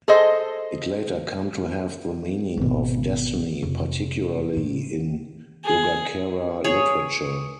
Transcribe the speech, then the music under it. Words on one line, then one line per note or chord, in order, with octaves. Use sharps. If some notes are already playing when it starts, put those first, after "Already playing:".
It later came to have the meaning of "destiny", particularly in Yogacara literature.
G#4 A4 C5 D#5
G#1 B2
F1
A2
G#4
G#4 C#5